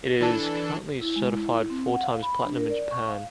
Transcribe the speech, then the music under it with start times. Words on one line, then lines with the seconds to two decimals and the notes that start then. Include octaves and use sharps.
It is currently certified four times platinum in Japan.
0.21 E3 D4 A4
1.01 E4
1.16 G#3
1.32 E4
1.70 C4
1.88 F#5
2.03 F5
2.23 B5
2.45 D4
2.57 A#4
2.70 D5
2.91 C#6
3.08 F5